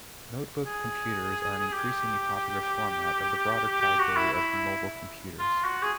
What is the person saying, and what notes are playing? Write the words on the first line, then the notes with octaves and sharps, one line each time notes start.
Notebook computers are an increasingly popular format of the broader category of mobile computers.
G#4
G4
G4
F#4
E4
E4
F4
F#4
G#4